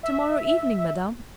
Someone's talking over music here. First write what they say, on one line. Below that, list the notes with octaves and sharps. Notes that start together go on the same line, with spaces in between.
"To-morrow evening, madam."
E5